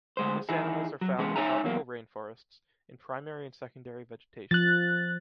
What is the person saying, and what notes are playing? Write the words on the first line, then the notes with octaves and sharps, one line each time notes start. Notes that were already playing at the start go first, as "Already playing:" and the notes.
This animals are found in tropical rainforests, in primary and secondary vegetation.
D2 G#3 C5
E3 D#4 E4 G#4
F#3
E3 G#3 B3 C#4 G#4
D#4 C#5 E5 G#5 A#5
E2 F#3 A#3
F3 F#6 A6